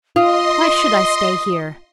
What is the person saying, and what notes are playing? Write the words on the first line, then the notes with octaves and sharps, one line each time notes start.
Why should I stay here?
F4 D#5 C6 D#6